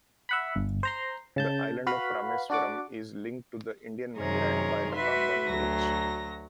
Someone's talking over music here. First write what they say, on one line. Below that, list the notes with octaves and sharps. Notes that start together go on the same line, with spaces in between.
The island of Rameswaram is linked to the Indian mainland by the Pamban Bridge.
E5 F#5 B5
G1
C5 A#5 C6
C#3 A5 G6
F#4 B4 F5 B5
D4 F#4 D5 F#5 D6
F#2 C3 D#3 G#4 A#4 C#5
F#4 B4 E5 C6
D2 F#3 A#6